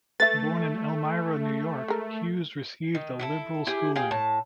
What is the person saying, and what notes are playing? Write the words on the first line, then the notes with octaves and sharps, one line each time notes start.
Born in Elmira, New York, Hughes received a liberal schooling.
A3 B4 E5 A6
G#3 A#4
D#3
E4 F#4 A4
E4 G4 G#4
G#4 F5 G5
A2 A5